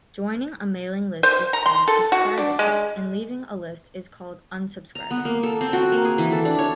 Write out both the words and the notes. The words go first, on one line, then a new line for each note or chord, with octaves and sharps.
Joining a mailing list is called "subscribing" and leaving a list is called "unsubscribing".
C5
A#5
C6
A4
F#4
D4
G#3
A#5
B3
A#3
A4
C4
F#4
A#3
G#4
E3
A4
D4
C#5